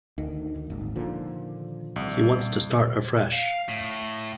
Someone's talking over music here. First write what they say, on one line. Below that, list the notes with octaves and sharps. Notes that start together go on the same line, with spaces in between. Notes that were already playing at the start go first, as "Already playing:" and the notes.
He wants to start afresh.
D2 D#3
D#1 G#1
A#2 D3 F3
C2
F5
A2